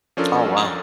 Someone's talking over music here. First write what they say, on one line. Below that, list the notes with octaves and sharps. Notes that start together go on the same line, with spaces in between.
Oh, wow.
F3 C#4 D4 F4 A4 A#4